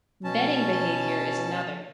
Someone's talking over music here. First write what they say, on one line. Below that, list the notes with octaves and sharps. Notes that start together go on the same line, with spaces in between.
Betting behavior is another.
B2 C#4 A5